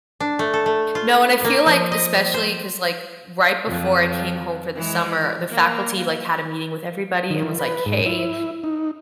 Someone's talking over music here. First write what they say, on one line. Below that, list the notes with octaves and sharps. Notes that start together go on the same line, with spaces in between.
No, and I feel like, especially 'cause, like, right before I came home for the summer, the faculty, like, had a meeting with everybody and was, like, "Hey,
D4
A3
A4
A3
F4
A#3
F3
D#5
C5
F2
E3 G#3
A#3
D#3
E3
B4
G#2
E4
D#4